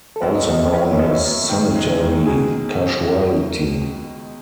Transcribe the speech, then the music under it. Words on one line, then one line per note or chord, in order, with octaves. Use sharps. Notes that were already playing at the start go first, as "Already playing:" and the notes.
Also known as sanitary casualty.
A4
F#2 B4
D#5
F#2 D#5
E5
C#4 B4
C#5
F#2 D#5
E5
F#2
D#3
G#3
D#3
B2 G#4